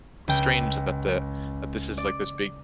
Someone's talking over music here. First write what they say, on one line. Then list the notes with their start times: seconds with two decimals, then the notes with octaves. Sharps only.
strange that the that this is, like, this big,
0.28 C#2 G5
1.98 D5